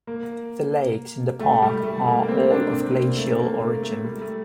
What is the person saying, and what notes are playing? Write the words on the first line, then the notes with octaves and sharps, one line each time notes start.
The lakes in the park are all of glacial origin.
A#3
A3
G3
A3
A#3
A#3
C4
D4
C4
A#3
A3
A#3
A3
A3
G3
A3